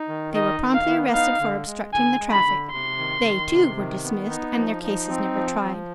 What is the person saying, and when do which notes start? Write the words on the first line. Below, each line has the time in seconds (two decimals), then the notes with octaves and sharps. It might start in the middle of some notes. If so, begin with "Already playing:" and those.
They were promptly arrested for "obstructing the traffic." They, too, were dismissed and their cases never tried.
Already playing: D#4
0.09 D#3
0.35 D#4 D#5
0.61 D#3
0.74 F5
0.88 B3
1.14 D#4 F5
1.40 D3
1.66 G#3
1.93 D3 G#5
2.20 G#3
2.32 B5
2.46 D3
2.72 C3 C6
2.98 D#3
3.25 D#3
3.51 C3
3.77 D#3
4.04 B3
4.30 D#4
4.57 F3
4.83 D#4
5.09 C4
5.35 F3
5.61 F3